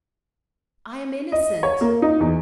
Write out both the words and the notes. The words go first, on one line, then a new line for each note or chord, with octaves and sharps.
"I am innocent."
D#5
C#5
A#3
D#4
E2